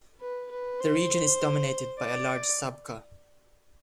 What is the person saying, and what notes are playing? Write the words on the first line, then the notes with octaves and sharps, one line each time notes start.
The region is dominated by a large sabkha.
B4
B4
C5
D5